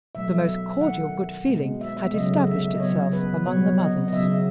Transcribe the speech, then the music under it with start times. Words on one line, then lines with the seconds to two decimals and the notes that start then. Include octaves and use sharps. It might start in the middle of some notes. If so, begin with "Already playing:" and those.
The most cordial good-feeling had established itself among the mothers.
0.15 B2 F#3 A3 E5
0.48 E5
0.81 D#3 A3 F#5
1.48 B2 G#3 B3
1.81 E5
1.97 E5
2.14 C#3 F#3 A3 D#5
2.47 E5
2.75 D#5
2.80 C#3 F#3 B3 C#5
3.13 B4
3.46 B2 F#3 B3 C#5
3.80 D#5
4.08 D#5
4.12 C#3 F#3 B3 E5